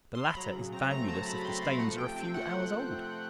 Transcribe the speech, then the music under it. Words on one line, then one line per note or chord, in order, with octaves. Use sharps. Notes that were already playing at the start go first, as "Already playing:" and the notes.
The latter is valueless if the stains are a few hours old.
C6
B5
F#3 A#5
C#3
C4 A#5
A3 A#5
F#3 A5
C#3 B5
C4 C6
A3 B5
F3 F#5
C3 G5
C4 G5
A3 F#5